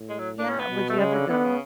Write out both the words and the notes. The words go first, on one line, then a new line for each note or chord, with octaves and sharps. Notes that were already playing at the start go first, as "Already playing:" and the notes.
Yeah, would you ever go?
Already playing: A2
G#3
F#3
D4
C#4
B3
B2
A3
C#3 G#3
D3
D3 B3
C#3